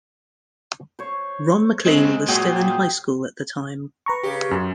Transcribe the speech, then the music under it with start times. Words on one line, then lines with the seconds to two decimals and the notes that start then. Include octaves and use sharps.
Ron MacLean was still in high school at the time.
0.99 C5 C#5
1.86 C#3 G#3 C4
2.28 A#2 F#3 G#4 G5
4.06 B4 A#5 C#6
4.23 C#3 G4
4.51 F#2